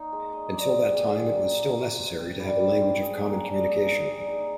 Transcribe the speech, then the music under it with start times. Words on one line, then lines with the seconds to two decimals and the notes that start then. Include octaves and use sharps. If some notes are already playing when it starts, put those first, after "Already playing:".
Until that time it was still necessary to have a language of common communication.
Already playing: A#3 D#4
0.13 G#3
0.33 D#5
0.54 D5
0.74 C4
0.95 G#4
1.15 D5
1.36 A#3
1.58 A#3
1.77 C5
1.98 C5
2.18 C4
2.40 G3
2.60 G3
2.81 C4
3.02 G#4
3.22 A#3
3.43 D4
3.64 A#3
3.84 G#4
4.06 D5
4.27 D#4